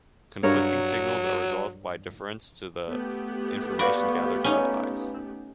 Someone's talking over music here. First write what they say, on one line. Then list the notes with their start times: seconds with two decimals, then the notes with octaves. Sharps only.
Conflicting signals are resolved by deference to the information gathered by the eyes.
0.43 G2 F#3 A#4 C#5
2.87 A3 B3 G4
3.79 F#4 B4 D5 F5 B5
4.44 C#4 D#4